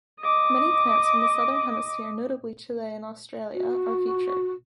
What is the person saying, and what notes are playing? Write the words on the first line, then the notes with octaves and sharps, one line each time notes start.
Many plants from the southern hemisphere, notably Chile and Australia, are featured.
D#5 D6
F#4